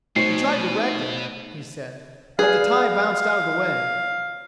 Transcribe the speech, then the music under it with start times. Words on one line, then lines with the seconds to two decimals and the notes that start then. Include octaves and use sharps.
"We tried to wreck it," he said, "but the tie bounced out of the way."
0.16 B2 A3 D#4 C5 C#5 C7
2.39 G#4 B4 D5 F5 G#5